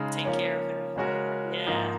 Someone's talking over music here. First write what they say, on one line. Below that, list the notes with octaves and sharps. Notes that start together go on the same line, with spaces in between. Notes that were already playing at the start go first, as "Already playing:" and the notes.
Take care of him pretty mu yeah.
Already playing: C#3 G#3 D#4
F3 A#3 C#4
C#3 G#3 C#4 F#4 A#4
G#2 F3 A#3 D#4